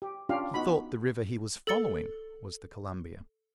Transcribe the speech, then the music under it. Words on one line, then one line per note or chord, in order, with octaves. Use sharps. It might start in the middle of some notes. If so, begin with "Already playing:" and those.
He thought the river he was following was the Columbia.
G4
C#4 D4 F4 G4 F5
B3 D#4 F#4 B5
A4 E6 A6 C#7 G7